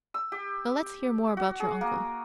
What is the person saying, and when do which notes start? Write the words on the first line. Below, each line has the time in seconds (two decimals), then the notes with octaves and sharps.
"Now let's hear more about your uncle."
0.14 E6
0.32 G4
1.37 F#4
1.60 G#4
1.81 A#3